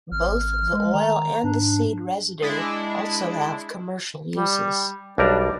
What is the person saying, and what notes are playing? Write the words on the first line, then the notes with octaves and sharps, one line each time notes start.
Both the oil and the seed residue also have commercial uses.
G#1 F6
G#3
D#3 A#5
G#2 D4
G#3 D4 E4
G3
B1 G3 D4 A#4
D5